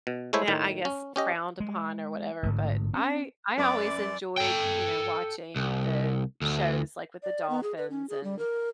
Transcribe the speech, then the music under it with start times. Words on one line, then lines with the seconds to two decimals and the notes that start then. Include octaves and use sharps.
now, I guess frowned upon or whatever, but I I always enjoyed, you know, watching the shows, like, with the dolphins and
0.07 B2
0.33 G#3 A3 E4 C5 C#5 E5
0.48 A2 D#3
0.85 C#4
1.16 C#4 G4 D#5
1.60 G#3
2.43 A1 G#2 D3
2.93 C4 C#4
3.58 F#2 B4 D5 D6
4.37 A4 G5
5.56 C2
6.42 D2
7.23 D5
7.50 B3
7.63 G#4
7.77 B4
7.90 C#4
8.10 G#4
8.24 G3
8.39 A#4